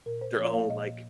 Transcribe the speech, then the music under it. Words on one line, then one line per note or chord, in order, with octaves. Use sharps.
their own, like,
A#2 A#4
C5
F3 A#3 C#4 C#5
F5
A#2 D#5